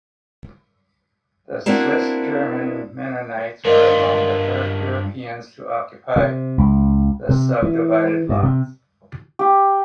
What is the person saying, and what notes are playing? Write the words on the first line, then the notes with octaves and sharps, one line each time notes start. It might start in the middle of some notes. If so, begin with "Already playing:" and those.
The Swiss-German Mennonites were among the first Europeans to occupy the subdivided lots.
A#3 C4 D4 E4 F#4
G2 F4 A#4 D5 D#5
C3
C#2
C3
E3
G2
C3
G4